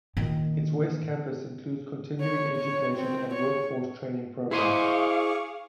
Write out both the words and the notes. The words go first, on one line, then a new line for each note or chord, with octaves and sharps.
Its West Campus includes continuing education and workforce training programs.
A#2 D#3
C#5
C#5
C4
C#5
E4 G#4 C5 D#5 F5 C#6 D6